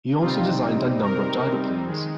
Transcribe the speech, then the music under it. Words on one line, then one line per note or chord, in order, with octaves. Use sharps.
He also designed a number of gyroplanes.
C3 G3 C4 D#4 F4
A#4
D#3 G#3